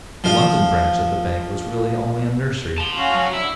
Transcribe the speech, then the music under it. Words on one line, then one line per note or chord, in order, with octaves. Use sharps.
The London branch of the bank was really only a nursery.
F3 F5
A5 C6
C#4 F#4 F5
F#3
D3 E4 E6